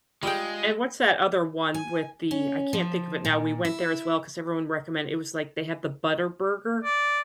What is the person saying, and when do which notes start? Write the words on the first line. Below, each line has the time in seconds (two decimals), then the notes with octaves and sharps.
And what's that other one with the I can't think of it now, we went there as well ‘cause everyone recommend it was like they have the Butter Burger.
0.23 G3 G#3 F4 G#4 G5
1.74 G#5
2.31 C#4
2.73 F3
3.25 A#2
3.65 E4
6.83 D5